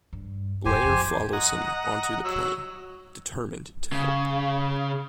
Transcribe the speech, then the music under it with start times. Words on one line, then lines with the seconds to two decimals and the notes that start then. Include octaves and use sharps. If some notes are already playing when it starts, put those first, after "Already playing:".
Blair follows him onto the plane, determined to help.
0.13 G2
0.65 F2 A2 G4 C5 G#5
0.85 F2
1.33 D#5 F#5 A#5
2.25 F#3 E6
3.93 C#3